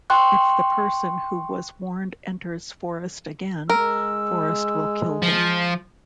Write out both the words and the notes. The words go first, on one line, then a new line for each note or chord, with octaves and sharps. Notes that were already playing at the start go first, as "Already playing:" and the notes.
If the person who was warned enters Forest again, Forest will kill them.
G5 C6 C#6 F#6
G#3 A#4 E6
F3